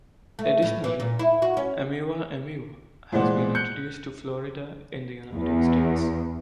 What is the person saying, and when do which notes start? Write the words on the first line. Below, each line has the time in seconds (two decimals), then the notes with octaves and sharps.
Additionally, "Ameiva ameiva" has been introduced to Florida in the United States.
0.39 A3
0.62 A2
0.84 E3
1.00 A#2
1.19 E4
1.42 F#4
1.57 C#4
3.12 A#2 E3 G#3 C5 D5 F#5
3.55 F#6 G6 C#7
5.34 E2